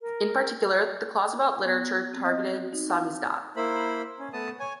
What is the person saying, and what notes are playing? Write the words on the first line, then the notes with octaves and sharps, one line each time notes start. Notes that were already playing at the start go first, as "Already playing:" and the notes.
In particular, the clause about literature targeted "samizdat".
A#4
B3
C4
D#5
F#4
D#4
F5
A#3 E4 C5 B5
C#4
A3 B3 A5 D#6
C#5 G#5